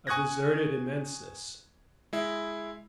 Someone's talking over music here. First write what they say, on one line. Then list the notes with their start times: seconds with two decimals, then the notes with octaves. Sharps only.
A deserted immenseness.
0.07 G#5 C#6 D#6 F#6 G#6 A#6
2.13 G#3 E4